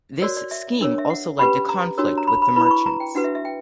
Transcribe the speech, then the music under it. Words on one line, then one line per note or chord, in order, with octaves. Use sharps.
This scheme also led to conflict with the merchants.
F#4 A#4 C#5 D5
D5
E5
D4 A#4 C#5
E5
F#5
C#4 G4 B4 B5
A#5
D4 F#4 A#4 C#5
A#5
B5
B5
E4 B4 B5
B5
C#6
A#5
G5
D4 F#4 B4 F#5
E5
E5
G5